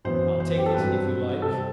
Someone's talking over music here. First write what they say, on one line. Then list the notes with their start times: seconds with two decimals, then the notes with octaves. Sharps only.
"I'll take it, if you like."
0.05 F#2 E3 B3 C5
0.40 C5
0.58 G4
0.66 A4
0.74 G2 F#3 C4 B4
1.42 C3 G3 C4 A4